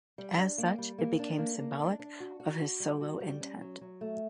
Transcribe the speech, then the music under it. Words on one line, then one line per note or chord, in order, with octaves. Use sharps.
As such, it became symbolic of his solo intent.
G3
D4
A#3
G3
A#3
D4
A#3
A#3
D4
D4
F#4
F#4
F#4
G3
F#4
G3
C#4
F#3
F#3
A3